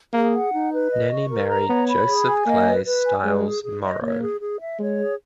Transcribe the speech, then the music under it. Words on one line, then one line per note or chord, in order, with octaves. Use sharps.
Nannie married Joseph Clay Stiles Morrow.
A#3 G#4
F#5
D#4
B4
D#5
C#6
A#4
A#5
B3 C#5
B5
G#4
G#5
A#3 D#5
B4
B4
G#5
G#3 B4
G#4
G#4
D#5
A#3 C#5
G#4
G#4
E5
G#3 C#5
G#4